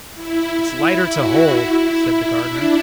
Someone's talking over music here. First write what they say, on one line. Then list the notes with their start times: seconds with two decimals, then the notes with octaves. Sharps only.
"It's lighter to hold," said the Gardener.
0.15 E4
0.48 E4
0.81 E4
1.13 F#4
1.47 E4
2.46 D4